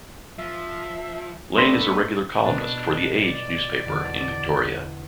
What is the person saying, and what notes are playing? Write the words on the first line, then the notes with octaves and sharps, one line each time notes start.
Lane is a regular columnist for "The Age" newspaper in Victoria.
F3 E5
A3 B3 D4 B5 C6 A#6 B6
B2 D4
D5
E2 D3